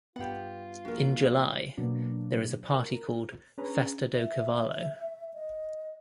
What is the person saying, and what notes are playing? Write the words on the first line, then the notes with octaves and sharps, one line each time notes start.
In July there is a party called "Festa do Cavalo".
G2 B3 F4 G4 F#5
A#1 F#4 A#4
B2 F#3 A#3 D4
A#4
C#4 D4 G#4 B4 A#5
E5
D#5